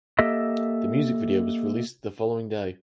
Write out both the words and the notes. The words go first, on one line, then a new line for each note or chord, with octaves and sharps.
The music video was released the following day.
A#3 G4 A4 D#5 E5